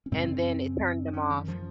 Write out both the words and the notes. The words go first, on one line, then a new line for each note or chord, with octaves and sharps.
and then it turned them off.
C#4
F#2 C#3 C4
C#4
D#3
F3